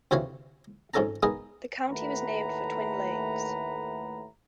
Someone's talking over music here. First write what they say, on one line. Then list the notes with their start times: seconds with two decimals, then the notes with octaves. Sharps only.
The county was named for Twin Lakes.
0.11 D2 C3 E3 F#4 C#5 F5
0.94 F2 G#2 C#4 A4 A5 A#5
1.23 G#3 B3 D#4 G#4 A#4
1.87 D#2 A2 A3 B4 F#5 A#5